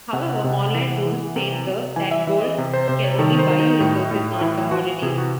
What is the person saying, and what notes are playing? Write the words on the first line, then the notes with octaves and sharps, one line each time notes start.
However, online rules state that Gold can only buy you resources, not commodities.
C3 F#5
C3
E3
E3
C3
C3
E3 G#5
E5
E3 E5
D#5
C3
C5
C3 C5
C#5
D#3 A4
C5
D#3
D#4
A2
A2
E3 E4
E3 F#4
C3 G#4
F#4